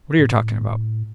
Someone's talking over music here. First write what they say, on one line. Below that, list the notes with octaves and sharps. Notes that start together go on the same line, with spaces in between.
What are yer talking about?
A2